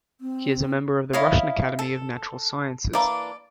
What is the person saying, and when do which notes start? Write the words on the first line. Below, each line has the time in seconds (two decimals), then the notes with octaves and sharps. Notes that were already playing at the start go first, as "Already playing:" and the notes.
He is a member of the Russian Academy of Natural Sciences.
0.21 C4
1.13 E4 C#5 D#5 F5
1.79 A4
2.93 E3 A#3 D4 D5 D6